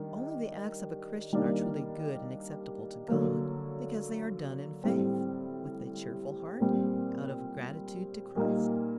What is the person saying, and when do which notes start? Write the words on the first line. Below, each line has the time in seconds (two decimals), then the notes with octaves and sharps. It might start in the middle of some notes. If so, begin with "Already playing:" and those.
Only the acts of a Christian are truly good and acceptable to God, because they are done in faith, with a cheerful heart, out of gratitude to Christ.
Already playing: D#3 G3 D4
1.33 D#3 G3 A#3 D4
3.08 D3 F#3 A#3
4.84 A2 G3 C4
6.60 A#2 G3 C4
8.36 A#2 G3 A#3 D#4